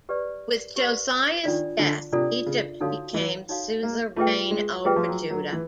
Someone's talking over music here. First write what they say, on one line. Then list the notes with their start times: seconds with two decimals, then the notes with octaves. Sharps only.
With Josiah's death Egypt became suzerain over Judah.
0.09 G4 B4 D5
0.76 G4 B4 D5
1.45 D#3 D4 F4 A4 D5
1.79 D3
2.12 C3 D4 F4 A4 D5
2.46 C#3
2.81 D3 D#4 F#4 A4 C#5 F5
3.14 E3
3.49 D#4 F#4 A4 C#5 F5
3.83 A#3
4.16 A3 F4 G#4 B4 E5 G5
4.51 G#3
4.85 G3 F4 G#4 B4 E5 G5
4.96 F3
5.08 F#3
5.30 F#3
5.52 E3